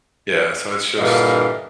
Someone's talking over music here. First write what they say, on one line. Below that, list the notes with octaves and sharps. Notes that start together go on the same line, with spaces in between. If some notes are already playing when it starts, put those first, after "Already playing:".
Yeah, so it's just
G2 A#2 D3 E3 D#5 F5